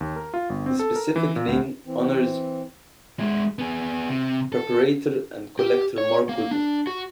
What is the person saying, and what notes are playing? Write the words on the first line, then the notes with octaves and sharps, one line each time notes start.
The specific name honours preparator and collector Mark Goodwin.
D#2
A#4
F4
G1
C4
A4
A#4
E3
A#2
D2
E3 C4
G#3 E4
B3 G#4
C3
A4
G4
C#5
A#3
D4
F#4